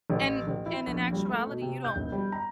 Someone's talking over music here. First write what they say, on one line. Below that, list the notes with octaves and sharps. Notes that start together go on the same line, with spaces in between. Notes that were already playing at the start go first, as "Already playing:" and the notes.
and and in actuality, you don't
A1
A1
E4
A#1
G3
A3
B2
C3
G6
E1
G3
A#5